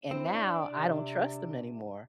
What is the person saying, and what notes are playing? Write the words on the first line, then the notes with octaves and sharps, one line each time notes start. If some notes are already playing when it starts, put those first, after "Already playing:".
and now I don't trust them anymore."
C4 E4
D4
C3